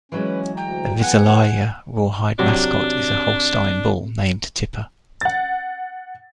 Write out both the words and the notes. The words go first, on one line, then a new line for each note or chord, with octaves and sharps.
The Visalia Rawhide mascot is a Holstein Bull named Tipper.
E3 F#3 G#3 C#4 B4
D2 G5 A#5
B3 F#5 G#5
C3 F#3 D4
F#5 A6